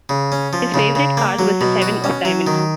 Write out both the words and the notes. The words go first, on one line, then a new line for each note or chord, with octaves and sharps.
His favourite card was the seven of diamonds.
C#3
C#4
F3
C#3
C#3
A#3
F#3
B2
F#4
C#4
F#3
D#3